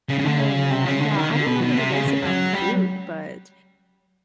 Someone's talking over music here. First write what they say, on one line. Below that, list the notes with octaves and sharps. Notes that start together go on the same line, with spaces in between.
Oh, man, yeah, I don't know what it is about food, but
C#3
C#3
D3
C#3
C3
C#3
D3
E3
D#3
D3
B2
B2
C3
C#3
C#3
F#3
G3